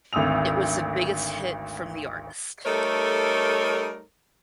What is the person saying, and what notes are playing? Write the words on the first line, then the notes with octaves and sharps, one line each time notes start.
It was the biggest hit from the artist.
G#1 D2 D#6 E6 F7
G3 A3 D#4 A4 A#4 C#5